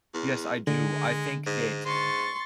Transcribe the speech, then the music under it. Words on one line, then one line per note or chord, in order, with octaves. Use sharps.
yes, I do. I think that
E2
D3 G#3
G#2
G#2 C6 C#6 A6